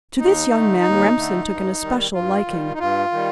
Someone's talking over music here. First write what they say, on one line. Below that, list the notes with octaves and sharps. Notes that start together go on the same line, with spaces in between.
To this young man Remsen took an especial liking.
D#2 D#4
D3 A3
D#2
D3 A3
G2
D#3 G3
G2 F4
D#3 G3
D#4
G2 F4
D#3 G3